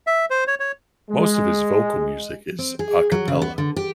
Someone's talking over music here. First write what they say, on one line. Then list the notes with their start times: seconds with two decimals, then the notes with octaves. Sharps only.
Most of his vocal music is "a cappella".
0.07 E5
0.30 C5
0.47 C#5
0.60 C#5
1.10 G#3
2.59 C4
2.79 G#4
3.12 F#3
3.28 C#3
3.42 B3
3.58 D3
3.76 G4